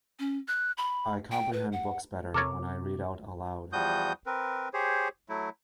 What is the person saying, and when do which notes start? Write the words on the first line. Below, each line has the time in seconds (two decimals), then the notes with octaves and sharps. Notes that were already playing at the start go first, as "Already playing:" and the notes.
I comprehend books better when I read out aloud.
0.19 C#4
0.48 F#6
0.78 B5
1.31 G5
1.53 B4
1.72 F#5
2.34 C3 A4 A#4 C#5 D6
3.73 E2 F3 G3 F#4 D#6 G6
4.26 C4 A#4 B4
4.73 G4 G#4 C5 C#5
5.29 F#3 A3 E4